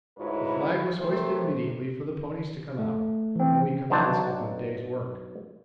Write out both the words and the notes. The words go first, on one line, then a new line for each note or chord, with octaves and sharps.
A flag was hoisted immediately for the ponies to come out, and we commenced a good day's work.
D2 G#2 E4 B4 C#5
C3 A3 A#4 C5
A3
E3 C4
B1 F#3 D4 C5 A5